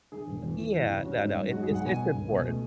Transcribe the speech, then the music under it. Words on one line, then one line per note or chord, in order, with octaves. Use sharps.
Yeah, no, no, it's it's it's important.
D3 G#4
E1
E2
E3
E2
C#3
C#4 F#4
G#2
F#3
G#3 F#4
B1 G#4
F#5
B2 G#5
F#3
C#2
B2
A3